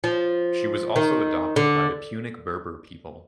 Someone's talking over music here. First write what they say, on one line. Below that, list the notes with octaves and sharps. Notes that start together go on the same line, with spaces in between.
She was also adopted by the Punic Berber people.
F3
D#3
D3